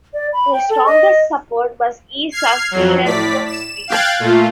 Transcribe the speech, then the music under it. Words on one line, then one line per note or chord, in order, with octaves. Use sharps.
Their strongest support was east of Sherbrooke Street.
D5
B5
G5
A4
D#5
F6 G#6 C7
F2 F#3
A2 D5 B6
E7
F5 G5 F#6 G#6 A6
A#2 A3 F4